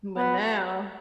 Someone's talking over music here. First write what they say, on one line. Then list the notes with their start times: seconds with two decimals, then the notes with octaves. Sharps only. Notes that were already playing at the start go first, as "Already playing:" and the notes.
But now
0.17 B3